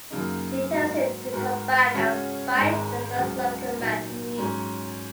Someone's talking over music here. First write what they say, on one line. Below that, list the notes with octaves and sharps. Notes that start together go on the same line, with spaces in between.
She tells him to come back and fight the first local man he meets.
F#2 C#3 A#3 D#4
G#2 F#3 A#3 F#4
G#2 G#3 F#4 A#4
C#3 G#3 C#4 F#4 C#5
G#1 G#2 G#3
C#2 C#3 F#3
A#2 F#3 D#4
G#2 F#3 C#4